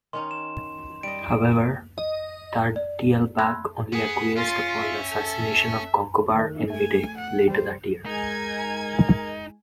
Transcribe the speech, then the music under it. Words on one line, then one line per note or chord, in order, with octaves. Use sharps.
However, Tairrdelbach only acquiesced upon the assassination of Conchobar in Mide, later that year.
D#3 C#4 D#4 C6
E7
G3 D#5 D7
D#5
D5
B5 C6 E6 F#6 G#6 A#6
B3 G#4
C#4 F4 C6 A6
E5
A4
D#3
A3 G#5
F#5
G3 G4 C5
G#3 D#4 A#4 G#5 G#6